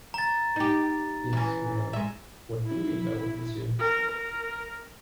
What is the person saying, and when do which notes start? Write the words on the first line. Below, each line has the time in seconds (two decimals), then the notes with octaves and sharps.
Yes, we know — what do we know, monsieur?
0.14 A#5 A6
0.56 D#4 G4
1.33 E3 C#4
1.93 G#3 E5
2.67 E4
3.80 A#4
4.11 A#4